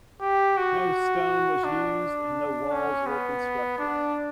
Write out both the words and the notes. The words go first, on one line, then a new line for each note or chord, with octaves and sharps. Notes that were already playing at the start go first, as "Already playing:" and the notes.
No stone was used and no walls were constructed.
G4
F#4
D4
C#4
B3
D4